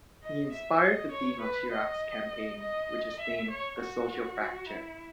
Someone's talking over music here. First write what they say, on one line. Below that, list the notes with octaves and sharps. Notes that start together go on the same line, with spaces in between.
He inspired the theme of Chirac's campaign which was named "the social fracture".
D#5
E5
D#5
C#5
B4
D#5
D#5
E5
C#5
F#4
E4